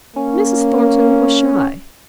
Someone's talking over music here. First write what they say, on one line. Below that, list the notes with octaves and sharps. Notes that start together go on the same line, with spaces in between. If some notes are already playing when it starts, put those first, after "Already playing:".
Mrs. Thornton was shy.
A#3 C#4